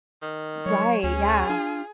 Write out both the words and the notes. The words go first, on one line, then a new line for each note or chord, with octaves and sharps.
Right, yeah.
D#3
F#3 C#5
D2 C#4 G#4
D4 F4